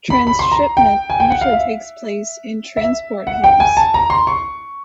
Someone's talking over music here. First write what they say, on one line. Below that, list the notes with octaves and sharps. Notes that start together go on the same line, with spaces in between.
Transshipment usually takes place in transport hubs.
B5
B5
C6
A#5
G5
G#5
G5
F#5
F5
E5
E5
F#5
G5
G#5
A5
A#5
C6
C#6